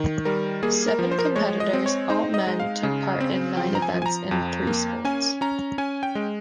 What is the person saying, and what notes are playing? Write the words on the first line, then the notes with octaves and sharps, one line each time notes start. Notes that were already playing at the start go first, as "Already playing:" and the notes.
Seven competitors, all men, took part in nine events in three sports.
Already playing: D#3
G3 A#4
A#3 G#4
A#4
F3
C5
A#4
C5
G#3 C#5
D#5
C4
C#5
D#4 C5
D#5
G#3
F5
C#3
C4
F3 G5
A#5
G#5
F3
G#5
A#5
F2
A#3
C#4 G#5
C#4 A#5
C#4 G#5
G5
G#3